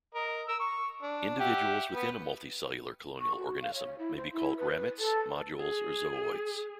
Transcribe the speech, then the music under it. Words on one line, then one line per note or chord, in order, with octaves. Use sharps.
Individuals within a multicellular colonial organism may be called ramets, modules, or zooids.
A#4 D#5
A#4 E6
C#6
D4
G4 E5 F#5
B3
C#6
F#4
F5
C#5
E4
C5
E4
B4
A4
G#4